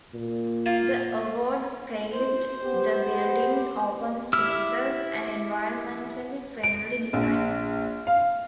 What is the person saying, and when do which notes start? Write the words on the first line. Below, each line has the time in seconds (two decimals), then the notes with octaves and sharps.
The award praised the buildings open spaces and environmentally friendly design.
0.14 A#2
0.66 A#3 F4
2.12 C5
2.63 B3 G4
4.33 E4 G4 E6 F6
6.63 D7
7.13 A#1
8.07 F5